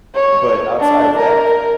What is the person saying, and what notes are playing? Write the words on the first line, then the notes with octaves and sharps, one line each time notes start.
but outside of that,
C#5
D4
A#4